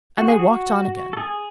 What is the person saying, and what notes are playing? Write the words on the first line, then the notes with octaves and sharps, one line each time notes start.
And they walked on again.
F#4
G#4
F#4
A4
G#4